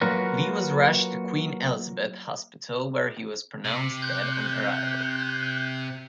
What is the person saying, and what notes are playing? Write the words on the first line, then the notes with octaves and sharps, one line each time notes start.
Lee was rushed to Queen Elizabeth Hospital where he was pronounced dead on arrival.
F#3 A#3 F4 F#4 A#4 B4
C3
F#6 G6